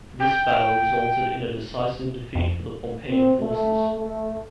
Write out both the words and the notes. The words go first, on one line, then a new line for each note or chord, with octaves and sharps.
This battle resulted in a decisive defeat for the Pompeian forces.
G5
F2
C4
A3
A3